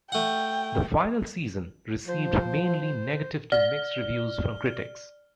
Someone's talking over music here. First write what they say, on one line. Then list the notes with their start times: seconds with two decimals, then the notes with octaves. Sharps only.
"The Final Season" received mainly negative to mixed reviews from critics.
0.12 A3 F#5 G5
2.08 F3 C5
3.52 D5 F6 G7